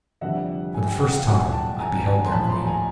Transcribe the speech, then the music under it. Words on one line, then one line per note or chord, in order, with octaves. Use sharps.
For the first time I beheld their queen.
F1 F2 D3 G3 E5 F#5
G#5
G5
F#5
F5 G5
C2 A#2 F#3 A3 F#5 G#5
G5 A5
G#5 A#5
A5
G#5 A#5
C6
A#1 A2 F3 A5 B5
A#5 C6
G#5 A#5